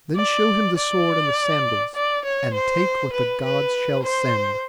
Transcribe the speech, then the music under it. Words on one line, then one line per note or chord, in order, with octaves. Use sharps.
Then show him the sword and the sandals, and take what the Gods shall send.'
D5
D5
D5
C#5
C5
B4
B4
C5